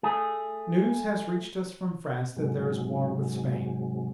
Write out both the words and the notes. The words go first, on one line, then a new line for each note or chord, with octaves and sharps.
"News has reached us from France that there is war with Spain."
A3 G#4
G#2 C3 F#3 G#3